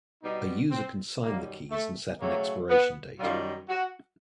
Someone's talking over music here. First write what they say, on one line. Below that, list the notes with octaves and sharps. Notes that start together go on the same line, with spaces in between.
A user can sign the keys, and set an expiration date.
B2 G3 D#4
C4
F#2 D#3 G3 A#3
A3
C#3 F#3 A3 A#3
B3
F#2 D#3 G3 F4
F#4